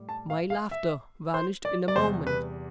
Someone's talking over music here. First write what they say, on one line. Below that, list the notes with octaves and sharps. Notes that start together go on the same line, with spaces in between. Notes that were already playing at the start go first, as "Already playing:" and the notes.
My laughter vanished in a moment.
Already playing: A2 G3
A5
F5
F5
E5
C5
D5
D5
E2 C3 G3 C5
B4